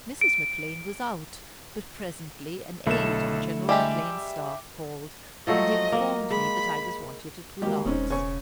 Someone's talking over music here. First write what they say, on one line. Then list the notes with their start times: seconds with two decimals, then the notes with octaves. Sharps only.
Mrs. McClean was out, but presently an aide on General McClean's staff called, and informed me that I was wanted at Willard's.
0.21 D7
2.87 B1 D3 A3 E4 A4 E7
3.69 G3 G#3 G4 E5 G5 D6
5.47 F3 F#3 A3 D#5
5.92 F#3 A#3
6.31 G#3 B5
7.62 G#1 G#3 A#3 F#4 G4 G5
7.86 E1 G#3 C4 C#4 D#4
8.10 C#3 C5 C#5 G#5 C#6